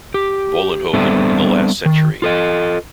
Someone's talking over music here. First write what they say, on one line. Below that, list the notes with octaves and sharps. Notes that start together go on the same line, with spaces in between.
Vollenhoven in the last century.
G4
G3 B3 C4 D4 A4 E5
D#3
F4 A4 D#5